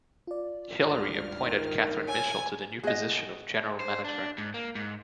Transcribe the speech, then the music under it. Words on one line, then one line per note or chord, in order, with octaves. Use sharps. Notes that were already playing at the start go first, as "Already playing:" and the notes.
Hilary appointed Kathryn Mitchell to the new position of general manager.
F4 D5
C#2 G2 F6
D#3
C#5 G#5 E6
F#4 G#4 D#5
C5
D4
G#2
A#3
G#2